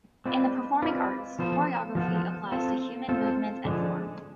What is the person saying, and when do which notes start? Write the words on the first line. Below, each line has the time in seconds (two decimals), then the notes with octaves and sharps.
In the performing arts, choreography applies to human movement and form.
0.26 G#3 C4 F4 B4 D5
0.82 G#3 C4 F4 B4 D5
1.39 F3 B3 F4 A4 C5
1.95 F3 B3 F4 A4 C5
2.52 C4 F4 A4
3.09 C4 F4 A4
3.65 D3 F3 G#3 D4 G#4